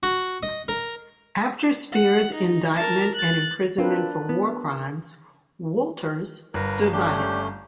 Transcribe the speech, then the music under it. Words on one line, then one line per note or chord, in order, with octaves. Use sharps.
After Speer's indictment and imprisonment for war crimes, Wolters stood by him.
F#4
D#5
A#4
F#5
D#4
A#4 A5
F#6 A6
C4 D4 F4 A#4 B4
B3
G1 A#4 B4
A3 C#4 D4 G4 G6